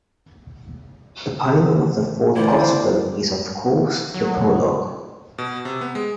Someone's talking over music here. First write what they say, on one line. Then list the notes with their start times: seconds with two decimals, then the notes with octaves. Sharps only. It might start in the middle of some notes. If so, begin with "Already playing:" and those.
The pylon of the Fourth Gospel is of course the prologue.
2.36 G1 E3 A3 E4 C5 D5
4.14 F#3
5.38 B2
5.65 C3
5.81 B3
5.95 G#3